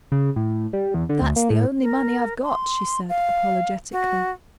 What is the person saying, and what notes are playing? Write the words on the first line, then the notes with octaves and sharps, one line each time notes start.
"That's the only money I've got," she said apologetically.
C#3
A2
G3
E2
D3
D2
A#3
A2
A#4
C6
F5
F#4